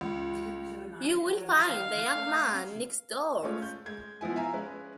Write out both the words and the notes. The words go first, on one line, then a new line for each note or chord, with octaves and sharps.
You will find the young man next door.
C#2
F5
G#3 A3 C#4 F4 C#5
G6
G#3 G#6
F3 B3 E4 G#5
E5 F5 G#5 A#5
G#3 C#4 B4